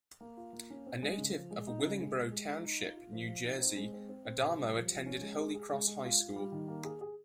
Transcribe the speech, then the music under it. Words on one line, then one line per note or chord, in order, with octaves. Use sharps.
A native of Willingboro Township, New Jersey, Adamo attended Holy Cross High School.
A#3
F4
A#3
C#4
C4
G#3
C#3
F3
G#3
D#4
C#3
G#3
G#3
G#3
D#4
D#4
F4
F4
F3
F4
D#4
C4
G#3
C4
C4
C4
C3
G3
F3
F3
C#4
G#3
G#4
G#4
G#3
G#3
F4
F4
G3
D#3
A#3
G#4
G#4